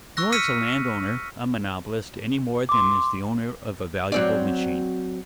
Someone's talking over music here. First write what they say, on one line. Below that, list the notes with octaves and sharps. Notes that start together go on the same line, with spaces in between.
Nor is a land-owner a monopolist any more than is the owner of a valuable machine.
C#6 E6 F#6 A#6
E6 F6 B6 C#7 D#7
C6 D6
F#3 C4 D5